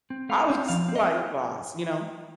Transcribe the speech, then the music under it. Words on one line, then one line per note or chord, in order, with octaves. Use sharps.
I was, like, lip gloss, you know?
C4
A3 F5
C4
F3 F5
C4
D#5